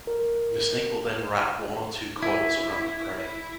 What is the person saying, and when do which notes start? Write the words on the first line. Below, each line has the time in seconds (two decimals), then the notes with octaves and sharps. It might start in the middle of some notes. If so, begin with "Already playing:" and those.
The snake will then wrap one or two coils around the prey.
0.07 A#4
2.23 E4